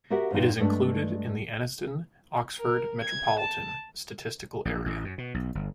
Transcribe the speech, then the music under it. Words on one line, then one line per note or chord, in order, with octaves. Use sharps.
It is included in the Anniston-Oxford Metropolitan Statistical Area.
F#4 G4 A#4 E5 F#5
E2 G2 A#2 D#4 G5
G2 G#3 A3 D4
A#4
G#6
A5
A#1
A1
F#2
B2
B1
G1